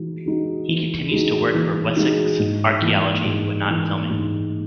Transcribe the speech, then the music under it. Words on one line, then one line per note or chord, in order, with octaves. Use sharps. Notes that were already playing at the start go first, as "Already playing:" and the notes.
He continues to work for Wessex Archaeology when not filming.
Already playing: E3 G#3 D#4 F#4
G#3 D#4 F#4
E3
G#3 D#4 F#4
E3
G#3 D#4 F#4
G#2
E3 A#3
G#2
E3 A#3
G#2